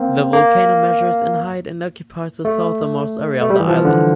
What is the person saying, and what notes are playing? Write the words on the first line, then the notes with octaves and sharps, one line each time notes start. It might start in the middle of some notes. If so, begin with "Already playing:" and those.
The volcano measures in height and occupies the southernmost area of the island.
Already playing: A#3 C4
A#3
A3
A3
G3
E3
F3
D3